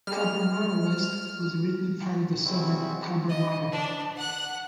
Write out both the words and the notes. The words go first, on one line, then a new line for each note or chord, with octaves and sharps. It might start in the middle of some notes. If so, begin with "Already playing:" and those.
Cabramatta West was originally a part of the suburb Cabramatta.
G3 G#3 F6
C3 G3 G#3 C4 E4 F#4
D#5
D4
F#5 F#6